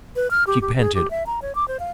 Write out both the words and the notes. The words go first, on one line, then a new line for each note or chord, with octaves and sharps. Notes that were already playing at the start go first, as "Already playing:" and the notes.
She panted.
B4
F6
G4
G4
G#4
G4
E5
A#5
C#5
D6
C5
F5